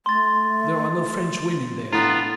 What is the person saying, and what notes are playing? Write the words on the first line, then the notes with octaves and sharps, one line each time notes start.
There are no French women there.
A3 C6 A6
A2 B3 D4 F4 A#5 A6